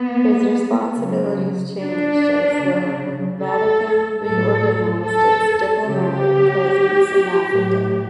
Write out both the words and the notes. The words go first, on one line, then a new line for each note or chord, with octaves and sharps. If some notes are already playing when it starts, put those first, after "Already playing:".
His responsibilities changed as the Vatican reorganized its diplomatic presence in Africa.
Already playing: B3
C#3 F#3
D4
C#3 F#3
A4
A2 F#3 A4
A4
C#3 F#3 G4
A2 F#3